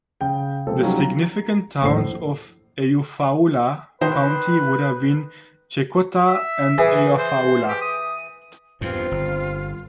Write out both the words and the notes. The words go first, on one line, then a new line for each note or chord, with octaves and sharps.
The significant towns of Eufaula County would have been Checotah and Eufaula.
C#3 G5
C3 F3 G#3 A#3 C4 A4
F#3 G3 C#4 D#4 F4
A#5
D#1 A#1 A2 A4 C5 C7
D#3 B4 C5 C6
E5
E3 G#4
C5
G4
D#6
E2 G2 C4 F4
G1